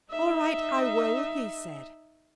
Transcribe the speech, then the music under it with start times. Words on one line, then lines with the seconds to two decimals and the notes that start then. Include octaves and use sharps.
"All right, I will," he said.
0.11 D#4 E5